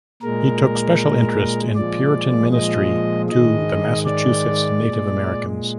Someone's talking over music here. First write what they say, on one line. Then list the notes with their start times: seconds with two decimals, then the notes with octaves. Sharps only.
He took special interest in Puritan ministry to the Massachusetts Native Americans.
0.22 A#2 G#3 A#4
1.75 A#2 F3 G#3 D5
2.53 D#5
3.30 G#2 D#3 G#3 D#5
4.06 D5
4.83 A#2 G#3